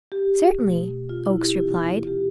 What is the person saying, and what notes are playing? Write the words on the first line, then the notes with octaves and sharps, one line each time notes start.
"Certainly," Oakes replied.
G4
B2 A3
F4
E4
G4
D2 C3 E3 B3 F4
E4
F4
G4